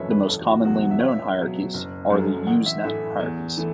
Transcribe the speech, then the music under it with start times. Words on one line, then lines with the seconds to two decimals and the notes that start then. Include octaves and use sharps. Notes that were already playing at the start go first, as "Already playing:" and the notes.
The most commonly known hierarchies are the "Usenet hierarchies".
Already playing: F#1 F#2 E3 A4 B4 C#5 E5
0.10 B4
0.28 E1 A4
0.47 F#4
0.65 E2 B2 F#3 F#4
0.82 F#5
0.91 E5
0.99 C#2 C#5
1.08 E5
1.38 B2 F#3
1.74 F#1
2.10 F#2 F#3 A3
2.47 A1 F#5
2.66 E5
2.84 A2 E3 A3 E5
3.20 E2
3.57 E3 A3